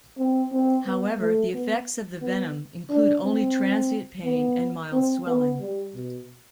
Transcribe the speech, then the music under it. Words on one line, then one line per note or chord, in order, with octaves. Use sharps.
However, the effects of the venom include only transient pain and mild swelling.
C4
C4
B3
A3
B3
B3
D4
C4
B3
C4
B3
G3
B2